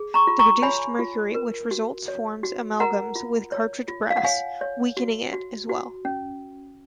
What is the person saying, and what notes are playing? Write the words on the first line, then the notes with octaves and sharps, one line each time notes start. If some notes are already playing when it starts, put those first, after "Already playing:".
The reduced mercury which results forms amalgams with cartridge brass, weakening it, as well.
Already playing: G#4
A#5 C#6
F4
A#5 C#6
C#5 G#5 B5
F4
A#4
F#4
C#5
F#4
A#4 F#5 A#5
F4
C#5
F4
F5
F#5
C#5 F5 G#5
C#5
F#4
F#4
F#4
C#4